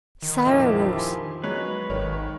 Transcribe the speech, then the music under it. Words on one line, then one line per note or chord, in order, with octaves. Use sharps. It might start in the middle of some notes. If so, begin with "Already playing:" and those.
Sarah rose.
D#3
A#1 F2 F3 E4 G4
G#5 C6
F#3 G#3 B4 C#5
G#1 D#3 C#5